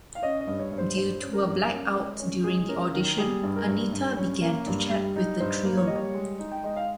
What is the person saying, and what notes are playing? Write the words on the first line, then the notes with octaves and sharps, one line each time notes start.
Due to a black-out during the audition, Anita began to chat with the trio.
F5
C#4 D#5
D#5
G2
C#5
G2
C5
G2 C5
C#4
A#4
G2
C#4 A#4
G#3
C#4
G#3 G#4
C#4 A#4
D#3 A#4
G3 G#4
G2
A#4
G2
G2
C#4
A#3
G2
G3
D#4
G2 C5
A#3
C#5
G3 D#5
C#5
G#3
D#4
G5
G#3 D#5
F5